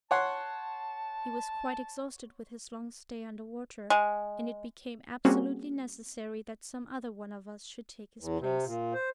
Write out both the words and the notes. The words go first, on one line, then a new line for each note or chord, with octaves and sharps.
He was quite exhausted with his long stay under water, and it became absolutely necessary that some other one of us should take his place.
C#5 F#5 A5 C6
G#3
G3 A#3 C4 C#4 F#4 G#4
E2
C3
A#2
C5